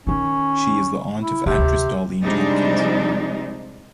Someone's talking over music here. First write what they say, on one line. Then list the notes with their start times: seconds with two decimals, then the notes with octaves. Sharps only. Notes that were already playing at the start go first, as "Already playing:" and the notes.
She is the aunt of actress Darlene Tompkins.
0.07 D#3 C#4 D#4
1.20 E4
1.46 G1 C3
1.58 D2
2.23 C3 F3 G3 G#3 D4 D#4